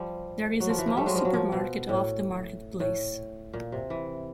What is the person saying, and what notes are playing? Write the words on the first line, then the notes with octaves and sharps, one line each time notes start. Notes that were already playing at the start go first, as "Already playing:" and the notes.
There is a small supermarket off the Market Place.
Already playing: F3 G3
F#3
F3
E3
F3
G3 A3
F#3 G#3
F3 G3
F#3
F3
B2
A2
A2
A#2
C3
E3